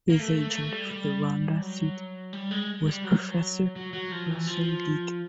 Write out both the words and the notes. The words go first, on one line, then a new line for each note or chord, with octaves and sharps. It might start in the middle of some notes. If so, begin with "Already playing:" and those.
His agent for the Rhondda seat was Professor Russell Deacon.
A#3
A3
A3
A#3
A3
G3
G3
F#3
G3
G#3
G3
F#3
F#3
F#3
F3
E3
F3